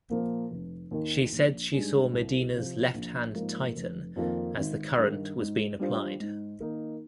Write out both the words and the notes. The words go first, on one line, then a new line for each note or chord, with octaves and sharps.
She said she saw Medina's left hand tighten as the current was being applied.
A#2 F3 A#3
F1
D#2 D#3
A#1
G#2 G3 D4 G#4
C2
C3 F3
A#1
G#2 F3 A#3
F1
F2 D#3 A#3 F4
G#1
G2 D#3
G#2
G3 D4 F4 C5
G#2
D#3 A#3 D#4 A#4